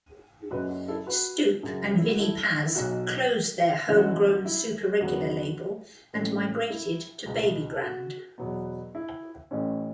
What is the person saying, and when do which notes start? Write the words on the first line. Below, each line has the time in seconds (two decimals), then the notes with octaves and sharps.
Stoupe and Vinnie Paz closed their homegrown Superegular label and migrated to Babygrande.
0.51 F#1 F#2 F#3 C#4 F#4 B4
0.69 F#4
0.88 E4 A4
1.07 F#4 B4
1.63 F#2 C#3 F#3
1.98 E4
2.08 F#4
2.20 E4 A4
2.65 E4
2.75 B1 B2 F#3 F#4
3.88 F#1 F#2 E3 C#4 E4
3.98 F#4
4.07 E4
4.35 F#4
4.45 E4
5.00 E2 C#3 F#3 B3 F#4
6.13 A1 A2 A3 C#4
6.70 E4
7.26 C#2 B2 B3
7.73 A4
7.82 F#4
8.38 E2 B2 F#3 B3
8.95 E4
9.51 A1 A2 A3 C#4